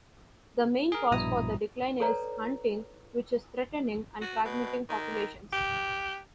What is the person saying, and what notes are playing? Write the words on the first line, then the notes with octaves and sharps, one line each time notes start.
The main cause for the decline is hunting which is threatening and fragmenting populations.
G#4 A#4
A#1 G2 B2 E4 A#5 D#6
A4 B4 C#5 D5 A#5
F#4
B2
D#3
G4